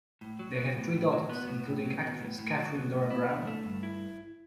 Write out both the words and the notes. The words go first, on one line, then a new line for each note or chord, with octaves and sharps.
They have three daughters, including actress Kathryne Dora Brown.
A2
F#3
B3
A2
A2
F#3
B3
A2
A2
F#3
B3
A2
A2
F#3
B3
A2
E4
D3
A3
G2
E4